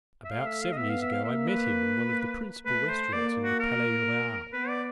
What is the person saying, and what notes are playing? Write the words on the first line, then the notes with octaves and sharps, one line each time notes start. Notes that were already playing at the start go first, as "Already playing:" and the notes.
About seven years ago, I met him in one of the principal restaurants in the Palais Royale.
E5
A3 F5
E5
F5
D#5
B3 E5
F5
E5
F5
A#3 E5
B4
A3 B4
C5
A#3 D5
F#4
A#4
B3 B4
D5